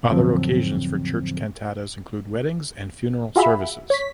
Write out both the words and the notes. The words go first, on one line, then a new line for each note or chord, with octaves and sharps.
Other occasions for church cantatas include weddings and funeral services.
F2 A2 D3 F3 F#3 C4
F4 F#4 G#4 E5 B5
C#5 B6